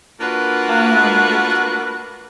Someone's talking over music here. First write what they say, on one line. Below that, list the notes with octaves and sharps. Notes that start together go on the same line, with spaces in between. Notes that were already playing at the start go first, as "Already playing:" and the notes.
um, which
A#3 D4 F4 F#4 A#4 B4